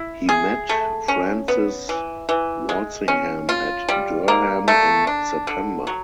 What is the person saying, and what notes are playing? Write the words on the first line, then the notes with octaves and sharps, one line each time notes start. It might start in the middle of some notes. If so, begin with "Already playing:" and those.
He met Francis Walsingham at Durham in September.
Already playing: E4
G#4
A3
C#4
B3
E3
E3
G#3
C#4
F4
G3
A#3
A3
D4
D3
F#3